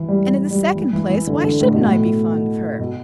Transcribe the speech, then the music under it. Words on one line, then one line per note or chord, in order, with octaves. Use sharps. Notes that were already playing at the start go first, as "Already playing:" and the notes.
"And, in the second place, why shouldn't I be fond of her?"
Already playing: E3
G3
G3
G3
E3
E3
E3
D3
D3
A2
B2
A2
B2